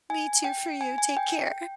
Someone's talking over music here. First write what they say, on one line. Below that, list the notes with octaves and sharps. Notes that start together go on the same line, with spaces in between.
Me, too, for you. Take care.
G#5
G5
G#5
G#5
G5